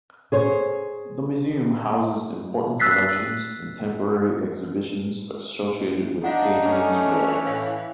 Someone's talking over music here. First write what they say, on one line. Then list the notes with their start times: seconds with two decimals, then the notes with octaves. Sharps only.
The museum houses important collections and temporary exhibitions associated with Hadrian's Wall.
0.32 G#4 C5 C#5
2.80 E6 F#6 A6 B6 C7
6.24 D4 D#4 F4 F5 F#5
6.66 A3 C#4 D4
7.10 E3
7.46 A2 C#5 F5 G#5